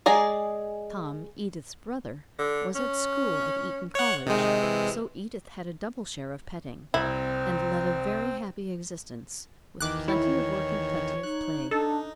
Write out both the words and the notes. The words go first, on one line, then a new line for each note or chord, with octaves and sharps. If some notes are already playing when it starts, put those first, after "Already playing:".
Tom, Edith's brother, was at school at Eton College, so Edith had a double share of petting, and led a very happy existence with plenty of work and plenty of play.
G#3 G#4 D5 A#5
D3
C#4
C#5 F#5
C3 D#3 G#3
E3
C2 C4 E4
D#2 D#3 E3 D6 F#6
E4 C#5
D#4 F#6
D4 D#4 A4